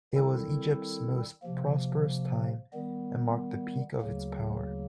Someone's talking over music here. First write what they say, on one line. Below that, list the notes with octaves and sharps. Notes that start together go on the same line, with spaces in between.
It was Egypt's most prosperous time and marked the peak of its power.
D#3 G3 C4 E4 A4
C3 F3 A#3
D#3 G3 B3
D2 C#3 F#3 A#3